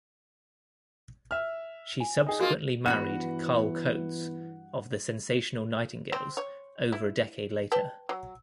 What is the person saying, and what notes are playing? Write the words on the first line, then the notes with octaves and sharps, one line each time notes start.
She subsequently married Carl Coates of the Sensational Nightingales over a decade later.
E5 F6
G#5
D#4 G#4
A#3 F4 F#4 A#4
G2 E3 B3 F#4 F#5 B5
C4
C#5
E4
B4 G5 A5
F#3